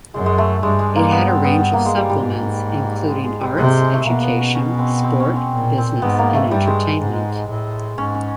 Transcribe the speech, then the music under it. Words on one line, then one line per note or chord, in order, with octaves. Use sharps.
It had a range of supplements, including Arts, Education, Sport, Business and Entertainment.
F#2 G#3
G#3
A3
G2 G#3
G#3
A#3
B3
C4
B3
B3
A#3
G#3
G3
G#2 G3
G#3
G#3
G3
C3 G#3
G#3
G#3
A3
B2 A#3
B3
C#4
C#4
C4
C4
C#4
C4
A#2
C4
G#2 B3
A#3
A3
G2 G3
G#3
G#2
A2
G#2 C#4
C#4